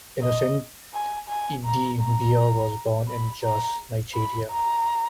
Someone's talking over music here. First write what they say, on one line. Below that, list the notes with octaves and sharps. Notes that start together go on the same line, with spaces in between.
Innocent Idibia was born in Jos, Nigeria.
D#5
G#5
G#5
A#5
A#5
B5
A#5
B5
A#5